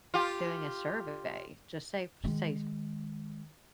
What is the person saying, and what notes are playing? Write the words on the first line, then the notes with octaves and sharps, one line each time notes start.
doing a survey, just say say
F4 G4
D#3 G#3